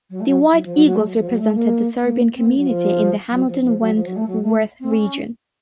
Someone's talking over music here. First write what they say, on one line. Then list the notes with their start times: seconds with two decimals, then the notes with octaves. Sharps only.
The White Eagles represented the Serbian community in the Hamilton–Wentworth region.
0.10 F#3
0.20 A3
0.26 F#3
0.52 F#3
0.64 F3
0.74 F#3
0.85 F#3
0.95 A3
1.06 F#3
1.17 F3
1.27 F#3
1.38 A3
1.54 A#3
2.03 A#3
2.35 C4
2.45 A#3
2.56 F#3
2.66 F3
3.30 F#3
3.46 F3
3.63 F3
3.79 F#3
3.95 F3
4.05 F#3
4.16 A3
4.27 F#3
4.43 A3
4.80 C4
4.91 C#4